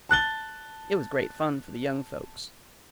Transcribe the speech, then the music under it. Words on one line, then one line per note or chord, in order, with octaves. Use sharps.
It was great fun for the young folks.
A5 F#6 A6 G7